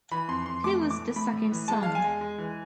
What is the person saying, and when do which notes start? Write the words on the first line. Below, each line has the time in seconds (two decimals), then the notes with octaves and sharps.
He was the second son.
0.11 E3 B5
0.28 F2 C6
0.46 F2 C6
0.64 A3 D6
0.81 E3
0.91 D6
0.99 A2
1.16 A3 B5
1.33 A2
1.51 E3
1.68 G#3 A5
1.83 E2 F5
1.95 G#5
2.04 G#3
2.21 G#3
2.38 E3